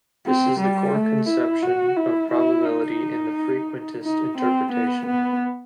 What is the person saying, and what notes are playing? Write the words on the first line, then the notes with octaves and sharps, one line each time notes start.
This is the core conception of probability in the frequentist interpretation.
C4
G3
A3
E4
F#4
E4
E4
D#4
D#4
C4
B3
B3